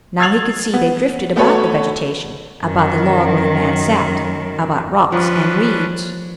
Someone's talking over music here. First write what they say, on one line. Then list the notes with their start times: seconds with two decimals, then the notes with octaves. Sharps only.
Now he could see they drifted about the vegetation, about the log where the man sat, about rocks and reeds.
0.20 E6 G#6 A6 C7 F7 F#7
0.74 B3
1.36 A3 B3 F#4 A4 B4 C#5
2.64 F#2 D#3
5.12 F3 C#4 D4 B4